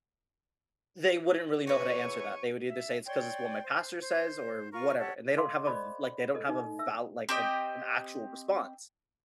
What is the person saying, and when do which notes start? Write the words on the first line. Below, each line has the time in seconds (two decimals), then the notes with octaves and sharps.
They wouldn't really know how to answer that, they would either say it's ‘cause it's what my pastor says or whatever, and they don't have a v like, they don't have a val like a an actual response.
1.67 E2 E3 F#4 B4 C#5 C#6 D#7
2.68 E5
3.06 C#5 D5 G5 C6
3.63 C5
4.00 C5
4.72 F4 A#4 C#6
4.99 G4 A4 C#5 F#5
5.36 A4 D#5 F5 C6 D6
5.67 C5 D5 D#5 B5
6.34 A4 D#5
6.49 D#4
6.79 E5 E6
7.29 C4 G4 D#5